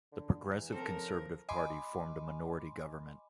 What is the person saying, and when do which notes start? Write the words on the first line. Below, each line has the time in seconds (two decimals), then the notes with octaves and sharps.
The Progressive Conservative Party formed a minority government.
0.12 D3
0.43 E2
0.72 C#3 F3 C4 A4 A#4
1.49 D#5 G#5 B5 C6 D6